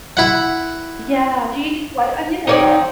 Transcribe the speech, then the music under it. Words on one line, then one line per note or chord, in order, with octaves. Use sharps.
Yeah, do you use white onion or red?
E4 F#5
C4 D#4 C#5 D5